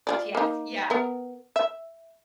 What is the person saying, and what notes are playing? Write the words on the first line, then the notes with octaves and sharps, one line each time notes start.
RTX, yeah.
F4 G#4 D5
A#3 D#4
B3 A#4
E5